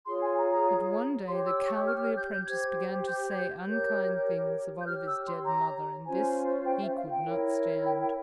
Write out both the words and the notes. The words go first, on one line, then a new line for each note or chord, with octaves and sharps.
But one day the cowardly apprentice began to say unkind things of Oliver's dead mother, and this he could not stand.
F4 G#4 C#5 C6
G#5
A#5
A#5
G4 C#5 C6
E6
C#6
F6
F6
G6
G6
G4 C5 G#6
G6
G#6
G6
G4 A#4 C#5 G6
G6
G4 C#5 F6
E6
C6
A#5
C#4 F4 C5 G#5
G5
E5
F5
G5
E4 A#4 C#5
G5
G5